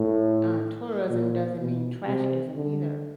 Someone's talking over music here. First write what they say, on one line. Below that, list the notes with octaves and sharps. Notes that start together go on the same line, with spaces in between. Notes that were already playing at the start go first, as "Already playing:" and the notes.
uh, tourism doesn't mean "trashism" either.
Already playing: A2
A#2
B2
C3
D3